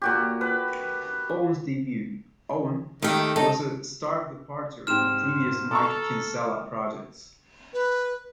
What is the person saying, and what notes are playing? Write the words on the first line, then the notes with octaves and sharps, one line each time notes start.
Owen's debut, "Owen" was a stark departure from previous Mike Kinsella projects.
A#2 F#4 G4
B4
D#3 A3 G4
C#4 D#4 A4
G#2 C3 G5 F6 E7
A4 A5 A#5 C#6
B4